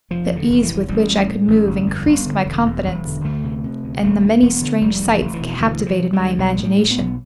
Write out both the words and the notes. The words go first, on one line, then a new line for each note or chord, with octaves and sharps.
The ease with which I could move increased my confidence, and the many strange sights captivated my imagination.
F1 F3
E2
D3
F1
E3
C3
A1 G3
A2
A2
A1
G1
F2
G1
D3
E1
E2
E1
D3
D2 A3
C3
C3
D2
E1 A3
D2
E1 B3
D3
F1 G3
E2
E3
F1
E3
B2
D2 E3
C3
F3
C3
G3
D2
B1 G3
A2
G3
A2
B3
B1